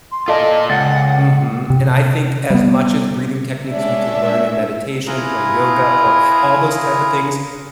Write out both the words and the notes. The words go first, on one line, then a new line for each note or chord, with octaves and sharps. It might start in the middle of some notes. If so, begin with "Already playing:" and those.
Mhm. And I think as much as breathing techniques we can learn in meditation, or yoga, or a all those type of things
C6
F4 A4 D5 D#5 F5 A5
C#2 F#5 A6
C3
G3 B3
G#3 C#4 D4 E5
E4 F4 G#4 B4 A#5 D#6